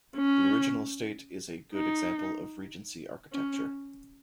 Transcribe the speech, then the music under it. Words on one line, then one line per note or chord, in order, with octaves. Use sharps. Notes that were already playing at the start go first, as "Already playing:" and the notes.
The original estate is a good example of Regency architecture.
C#4
D#4
C#4